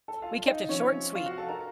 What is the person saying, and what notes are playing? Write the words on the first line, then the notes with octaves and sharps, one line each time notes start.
"H we kept it short and sweet,"
A4 A5
F4 F5
D#4 D#5
C3 F3 C4 C#4 C#5
F4 F5
F#4 F#5
A4 A5
A#4 A#5